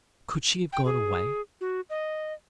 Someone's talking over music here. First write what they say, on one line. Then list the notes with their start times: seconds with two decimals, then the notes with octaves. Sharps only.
Could she have gone away?
0.73 G5
0.85 G#4
1.61 F#4
1.90 D#5